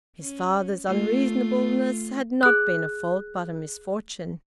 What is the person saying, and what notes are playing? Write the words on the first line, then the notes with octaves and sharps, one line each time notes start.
His father's unreasonableness had not been a fault, but a misfortune.
C#4
A3 F4
G#4 F#6